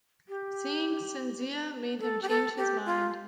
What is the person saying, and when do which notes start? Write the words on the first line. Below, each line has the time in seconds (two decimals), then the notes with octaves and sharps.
Seeing Cinzia made him change his mind.
0.29 G4
2.00 A4
2.22 G4
2.29 A4
2.57 G4
2.85 F4